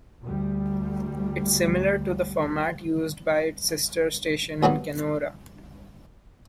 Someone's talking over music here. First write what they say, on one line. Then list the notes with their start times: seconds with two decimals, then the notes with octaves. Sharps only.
It's similar to the format used by its sister station in Kenora.
0.23 D2 G3
4.63 D#2 A#2 F#3 B3